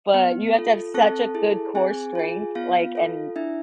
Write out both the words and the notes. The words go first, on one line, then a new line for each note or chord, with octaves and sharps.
but, you have to have such a good core strength, like, and
B3
F4 A4
C4 A4 A5
E4 G#4
C4 G#4 G#5
F4 G#4
B3 F4 F5
F4 A4
D4 E4 E5